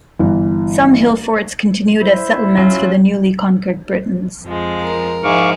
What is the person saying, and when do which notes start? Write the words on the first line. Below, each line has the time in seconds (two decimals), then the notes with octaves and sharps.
Some hill forts continued as settlements for the newly conquered Britons.
0.19 G1 E3
2.02 E4 C5
2.58 F#3 C#4 F4 C#5
4.44 F2 F3 G#3
4.83 A#4
5.24 G#2 F3 G#3 E4 F5 C#6 D6